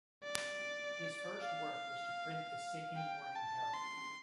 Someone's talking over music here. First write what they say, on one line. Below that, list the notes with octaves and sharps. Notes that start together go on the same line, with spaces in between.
His first work was to print the "Sydney Morning Herald".
D5
F5
G5
A5
C6